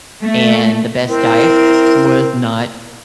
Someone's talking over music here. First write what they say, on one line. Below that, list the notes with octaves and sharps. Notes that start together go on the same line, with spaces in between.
and the best diet was not
A3
C4 E4 A#4